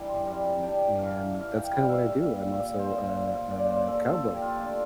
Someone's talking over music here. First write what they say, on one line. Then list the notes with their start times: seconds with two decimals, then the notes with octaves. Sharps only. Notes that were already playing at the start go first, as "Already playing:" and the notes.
um, and that's kinda what I do. I'm also a a cowboy.
Already playing: E3 G3 D4 A#5 D6
0.09 C6
0.26 G3 A#5
0.45 A5
0.63 D4 G5
0.99 E3 F5
1.35 E3 F5
1.52 G5
1.71 G3 F5
1.89 E5
2.06 A#2 E5
2.43 A#2
2.79 A#2 C5
3.15 A#2
3.51 A#2 D5
3.69 C5
3.87 A#2 A4
4.05 A4
4.23 A#2 G4
4.42 F4
4.59 A3 D4